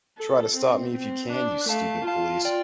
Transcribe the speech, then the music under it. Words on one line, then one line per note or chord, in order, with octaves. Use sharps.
Try to stop me if you can you stupid police...
A4
C4
C4
D4
A3 F5 A5
F4 F5 A5
D5 G5